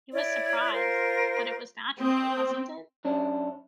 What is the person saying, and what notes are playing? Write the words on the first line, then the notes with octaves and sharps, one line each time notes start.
He was surprised; but it was natural, wasn't it?
E4 C#5 D5
F4 A#4 C5
C4 D#6
F#2 C#4 D4